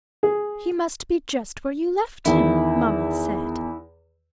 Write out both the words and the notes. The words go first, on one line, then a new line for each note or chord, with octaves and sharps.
"He must be just where you left him!" Mama said.
G#4
E2 D#3 E4